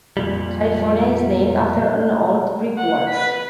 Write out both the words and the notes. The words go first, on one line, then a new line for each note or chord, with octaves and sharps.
California is named after an old brickworks.
F2 A#2 G3
F#5
B4 B6